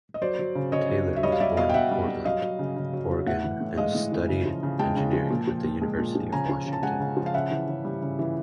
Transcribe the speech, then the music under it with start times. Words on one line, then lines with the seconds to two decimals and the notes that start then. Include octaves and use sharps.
Taylor was born in Portland, Oregon and studied engineering at the University of Washington.
0.14 D#5
0.22 F#3 C5 D5
0.39 F#3
0.55 C#3
0.72 C#3 C#5 D#5
0.89 F#3
1.06 F#3
1.16 E5
1.23 G3 C#5 D#5
1.32 F5
1.40 G3 D5 E5
1.57 B2 D#5 F5
1.69 G5
1.74 B2 E5 F#5
1.91 G3
2.08 G3
2.25 F#3 D#5 F5
2.42 F#3
2.59 C#3
2.76 C#3
2.93 F#3
3.10 F#3
3.26 A2 E5 F#5
3.44 E3
3.61 A2
3.77 G#3 D#5 F5
3.95 A2
4.12 E3
4.28 C#3
4.46 F3
4.63 C#3
4.79 G#3 G5 A5
4.96 C#3
5.13 F3
5.30 A#2
5.48 F3
5.64 A#2
5.82 G#3
5.99 A#2
6.15 F3
6.32 C#3 G#5 A#5
6.49 F3
6.66 C#3
6.73 A5
6.83 G#3 F#5 G#5
7.00 C#3
7.17 F3
7.26 F5
7.34 C#3 E5 F#5
7.51 E3
7.68 C#3
7.85 G3
8.02 C#3
8.19 E3